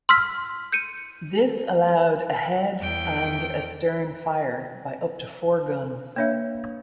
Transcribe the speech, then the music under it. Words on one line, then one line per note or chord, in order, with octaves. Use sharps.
This allowed ahead and astern fire by up to four guns.
C6 E6 F6 B6
G6 C#7 D#7
E2 G5
A#3 D4 B4 C#5 E5 F5